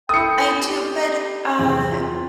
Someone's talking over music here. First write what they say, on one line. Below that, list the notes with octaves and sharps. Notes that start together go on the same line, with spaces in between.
I do, but, uh,
E4 A4 G5 D#6 C#7
G4
E2 C3
F4